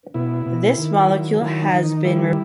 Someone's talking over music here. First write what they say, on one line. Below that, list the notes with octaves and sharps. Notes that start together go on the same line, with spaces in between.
This molecule has been reported to have broad-spectrum antimicrobial activity that includes human pathogens.
B2 E4
B2
D#3
F#3
D#3 E4
D#4
D#3
D#4
G3 E4